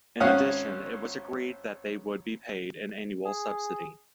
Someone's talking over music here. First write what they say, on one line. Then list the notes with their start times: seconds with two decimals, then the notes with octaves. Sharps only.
In addition, it was agreed that they would be paid an annual subsidy.
0.20 G#1 C4 C#4 F5 F#5 D#6
3.26 G#4